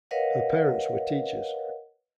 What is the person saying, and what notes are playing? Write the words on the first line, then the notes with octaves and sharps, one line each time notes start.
Her parents were teachers.
A#4 B4 C#5 D#5 F5 F#5